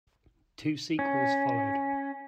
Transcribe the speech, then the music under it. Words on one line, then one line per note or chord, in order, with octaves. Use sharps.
Two sequels followed.
C#4